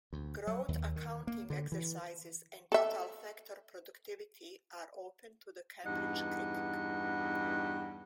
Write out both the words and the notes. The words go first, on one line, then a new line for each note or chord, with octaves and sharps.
Growth accounting exercises and Total Factor Productivity are open to the Cambridge Critique.
D2
F#3
D#2
D#3
A#3
D3
E3
A4 E5
E2 G2 D#4 F#5